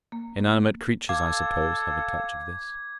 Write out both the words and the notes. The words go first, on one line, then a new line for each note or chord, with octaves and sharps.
Inanimate creatures, I suppose, have a touch of this.
A#3
A4 F5 D6 G#6